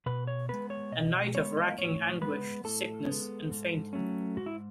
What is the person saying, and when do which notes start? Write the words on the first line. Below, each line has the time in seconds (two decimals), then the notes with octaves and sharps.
A night of racking anguish, sickness and fainting.
0.06 B2 B4
0.27 C#5
0.49 G#3 B3 B4
0.70 C#5
0.92 B2 D#5
1.35 G#3 B3 C#5
1.57 D#5
1.78 A2 C#5
2.21 G#3 B3 B4
2.64 A2 A4
3.07 G#3 B3
3.51 G#2
3.93 F#3 A3 C#4
4.37 G#2 F#4
4.46 E4